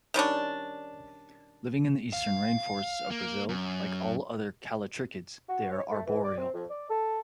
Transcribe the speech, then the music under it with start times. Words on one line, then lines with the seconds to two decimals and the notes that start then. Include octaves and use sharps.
Living in the eastern rainforests of Brazil, like all other callitrichids they are arboreal.
0.14 D#3 G3 C#4 D4
2.13 F5
3.11 A#3
3.49 F#2
5.49 F#4
5.71 C#5
5.91 A3
6.06 E3
6.24 D5
6.37 C4
6.53 F2
6.69 D5
6.90 A4